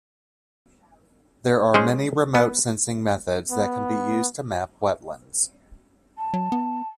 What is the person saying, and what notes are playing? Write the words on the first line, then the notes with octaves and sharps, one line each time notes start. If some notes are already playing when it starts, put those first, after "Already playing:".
There are many remote sensing methods that can be used to map wetlands.
G#3 C#4 G#4 C5
B3
B3
A5
F#3
B3